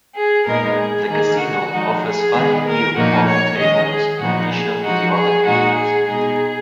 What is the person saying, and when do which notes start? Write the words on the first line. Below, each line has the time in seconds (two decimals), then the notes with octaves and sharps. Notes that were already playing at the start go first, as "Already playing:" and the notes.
The casino offers five beer pong tables in addition to the other games.
0.15 G#4
0.46 A#2 G#3 B3 D#4 A#4
0.77 G#4
1.08 D#3 A#3 D#4 G#4
1.40 F#4
1.71 F3 G#3 D#4
2.02 G#4
2.33 D#3 G#3 B3
2.65 A#4
2.96 A#2 F3 A#3 D#4 F#4
3.27 C#5
3.58 D#3 G#3 C#4 D#5
3.89 G#4
4.20 A#2 F3 B3 D#4 F#4
4.52 G#4
4.83 F3 G#3 D#4 F#4
5.14 G#4
5.44 A#2 G#3 D#4 F#4
5.76 G#4
6.08 B2 G#3 D#4 G#4